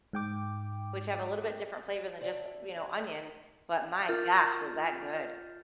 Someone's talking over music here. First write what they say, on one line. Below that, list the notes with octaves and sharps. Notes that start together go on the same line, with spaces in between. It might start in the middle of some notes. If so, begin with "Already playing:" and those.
which have a little bit different flavor than just, you know, onion. But, my gosh, was that good.
G#2 G5 D6
C5 D5 E5 F#5 G5 A5
F2 D5
F4 A#4 E5 F6 G6 A6